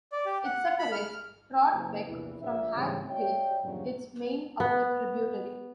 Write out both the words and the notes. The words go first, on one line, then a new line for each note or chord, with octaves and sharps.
It separates Trout Beck from Hagg Gill, its main upper tributary.
D5
G4
F#5
B5
F6
F#1 A#3 G4
A#1 E2 C3 E3
A#1 E5
G#2 C#3 E3 G3 A3 C4
F#4 C#5 D5 E5 G5
E2 G2 A#2 C#3 F3 F#3
B3